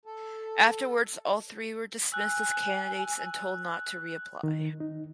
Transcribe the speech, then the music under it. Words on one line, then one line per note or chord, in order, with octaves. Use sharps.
Afterwards all three were dismissed as candidates and told not to reapply.
A4
G#5 E6 F#6
D#3
D#4